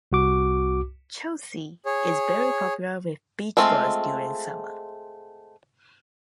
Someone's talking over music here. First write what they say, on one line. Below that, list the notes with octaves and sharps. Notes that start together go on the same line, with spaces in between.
Chelsea is very popular with beachgoers during summer.
C2 F#4 D6
G#4 C#5
G#3 A3 C4 F4